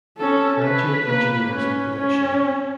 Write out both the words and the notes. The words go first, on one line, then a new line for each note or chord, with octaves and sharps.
Graduate Engineers in Production.
C#4 A4
B4
A#3 B4
C#4
C#4